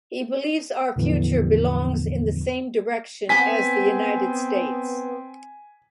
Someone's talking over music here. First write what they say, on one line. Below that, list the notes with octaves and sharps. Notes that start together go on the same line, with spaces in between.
He believes our future belongs in the same direction as the United States.
E2 A2 D3 E3 F3 B3
B3 C4 G#5 B6